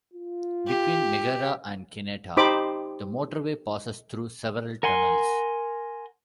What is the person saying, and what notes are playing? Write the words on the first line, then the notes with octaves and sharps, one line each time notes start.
Between Megara and Kineta the motorway passes through several tunnels.
F4
G4
D#4 G4 C5 B5 D6
A#4 F#5 G#5 C6